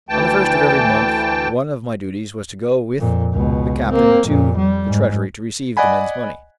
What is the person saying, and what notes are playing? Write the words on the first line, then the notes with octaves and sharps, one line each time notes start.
On the first of every month one of my duties was to go with the captain to the Treasury to receive the men's money.
D2 E3 G5 A5
F2 A#2
C#2 B2
A#3 C4
F2 A#2
G3
G#2
D5 D#5 F#5 G#5 B5